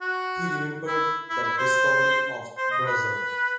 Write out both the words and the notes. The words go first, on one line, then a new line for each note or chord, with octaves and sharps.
He remembered the discovery of Brazil.
F#4
E4
E4
E4
C5
C5
D#5
B4